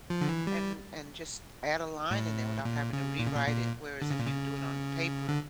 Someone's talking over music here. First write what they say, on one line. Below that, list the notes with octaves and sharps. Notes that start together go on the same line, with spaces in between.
and and just add a line in there without having to rewrite it whereas if you do it on paper,
F3
D3
E3
G3
A2
A#2
C#3
A#2
C#3
A#2
A#2
D3
C#3
A#2
C#3
D3